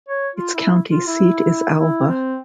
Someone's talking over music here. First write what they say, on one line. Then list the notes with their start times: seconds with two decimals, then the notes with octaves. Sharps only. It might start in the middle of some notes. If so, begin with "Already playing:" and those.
Its county seat is Alva.
0.08 C#5
0.35 F4
0.54 E4
0.90 F4
1.07 E4
1.78 E4
2.08 C4